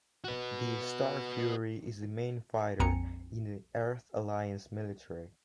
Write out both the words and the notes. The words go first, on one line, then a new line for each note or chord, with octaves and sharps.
The Starfury is the main fighter in the Earth-Alliance military.
F#4 B4
A#1 F2 C4 G#5 A#5 C#7